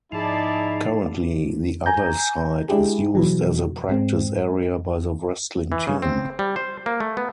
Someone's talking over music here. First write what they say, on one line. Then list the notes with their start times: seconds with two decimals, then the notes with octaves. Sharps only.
Currently the other side is used as a practice area by the wrestling team.
0.12 G#2 F3 D#4 E4 G#4 D5 A5
1.86 G#5 A#5 G6
2.69 G#3 D4 E4 G4 G#4
3.15 B2 E3 F#3
3.88 G#2 G#3 C4
5.72 E3
5.87 C#3
6.02 C4
6.39 G3
6.56 C5
6.86 A#3
7.00 A3
7.17 B3